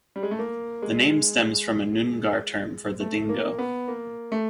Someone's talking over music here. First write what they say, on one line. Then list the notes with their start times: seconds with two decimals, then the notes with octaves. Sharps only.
The name stems from a Noongar term for the dingo.
0.16 G3
0.23 G#3
0.31 A3
0.39 A#3
0.82 G#3
3.00 A3
3.29 A#3
3.58 B3
3.88 A#3
4.32 A3